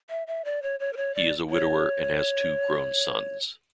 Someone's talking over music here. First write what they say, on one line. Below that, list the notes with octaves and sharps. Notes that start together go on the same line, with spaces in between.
He is a widower and has two grown sons.
E5
E5
D5
C#5
C#5
A#4
C#5
D5
C#5